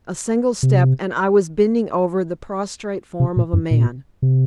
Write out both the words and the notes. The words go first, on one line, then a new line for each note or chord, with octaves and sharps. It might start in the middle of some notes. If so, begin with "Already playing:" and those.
A single step, and I was bending over the prostrate form of a man.
C3
C3
A#2
F#2
A#2
C3